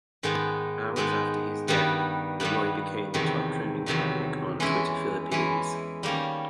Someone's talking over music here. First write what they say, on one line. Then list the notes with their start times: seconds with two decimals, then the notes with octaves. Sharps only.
Hours after his death, Roy became the top trending topic on Twitter Philippines.
0.23 G#2 D#3 G#3 B3
0.96 G#2 D#3 G#3 B3
1.68 G2 D#3 G3 B3
2.40 G2 D#3 G3 B3
3.14 E2 C3 D#3 F#3
3.86 E2 C3 D#3 F#3
4.60 E3 G#3 C#4 E4
5.32 E3 G#3 C#4 E4
6.03 D#3 G3 A#3 C#4